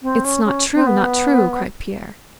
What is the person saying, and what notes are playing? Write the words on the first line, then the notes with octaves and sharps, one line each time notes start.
"It's not true, not true!" cried Pierre.
C4
C#4
C#4
C4
B3